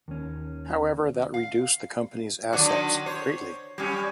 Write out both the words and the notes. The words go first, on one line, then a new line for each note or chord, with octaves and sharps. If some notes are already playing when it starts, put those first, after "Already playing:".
However, that reduced the company's assets greatly.
D#2 C#4
F5
D3 D#3 F#3 D4 F#4 D5
C5 C#5
F#3 G3 C#4 G4